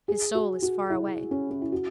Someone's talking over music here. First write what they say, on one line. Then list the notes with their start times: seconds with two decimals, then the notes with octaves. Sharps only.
His soul is far away.
0.08 G#4
0.35 F#4
0.62 F#4
0.90 E4
1.31 C#4
1.51 C#4
1.62 E4
1.72 F#4